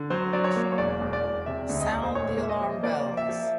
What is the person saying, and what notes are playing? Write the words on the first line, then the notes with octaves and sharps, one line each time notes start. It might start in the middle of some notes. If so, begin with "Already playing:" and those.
Sound the alarm bells!
Already playing: D3
F#3 C5
F#3 D5
C#5
A#3
C#5
E1 D5
E1
D5
E1
C3 E5
D2
D#5
E1
C5
A#2 C#5
A#3
E5
D#5
F3
A#3 D5
F3
E5
F3